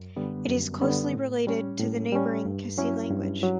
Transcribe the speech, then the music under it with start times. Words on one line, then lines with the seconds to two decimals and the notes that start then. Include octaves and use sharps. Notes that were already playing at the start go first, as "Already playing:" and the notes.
It is closely related to the neighboring Kissi language.
Already playing: F#2
0.16 D3 G3 B3
0.49 F#2
0.82 D3 G3 B3
1.14 A2
1.47 G3 C#4
1.80 A2
2.12 G3 C#4
2.45 G2
2.78 F#3 C#4 E4
3.10 G2
3.43 F#3